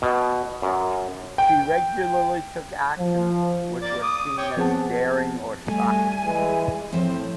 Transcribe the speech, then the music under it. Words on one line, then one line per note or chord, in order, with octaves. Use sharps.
She regularly took actions which were seen as daring or shocking.
B2
F#2
G5
F3
A#3 D5
D6 D#6
C#5 G5
F3 B3 C4 G#4 F#5 A5
G3 A3 D5 G#5
E3 G#3
A2 F3 C4